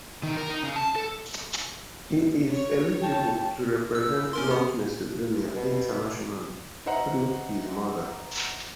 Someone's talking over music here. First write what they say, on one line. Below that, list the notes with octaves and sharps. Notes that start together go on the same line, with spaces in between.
He is eligible to represent North Macedonia internationally through his mother.
D#3
A#4
D#4
C#3
A5
A4
C#5
G5 A5
E6
C#4 A#4 C6
B3
B2
B4 C5 D#5 E5 F#5 A#5